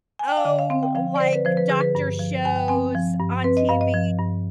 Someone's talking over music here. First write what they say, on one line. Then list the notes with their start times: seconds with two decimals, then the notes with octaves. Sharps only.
oh, like, doctor shows on TV,
0.19 G#5
0.28 G5
0.37 F5
0.45 D3 D#5
0.59 F5
0.70 C4 F5
0.83 G5
0.95 F3 F5
1.16 D5
1.20 D3 C5
1.33 B4
1.45 F3 C5
1.57 B4
1.70 D3 G#4
1.81 B4
1.95 G2
2.19 F3
2.45 G2 G#5
2.56 G5
2.68 C4 G#5
2.95 F3
3.20 G2
3.44 C4 B4
3.57 D#5
3.69 G2 F5
3.81 D#5
3.94 F3
4.19 G2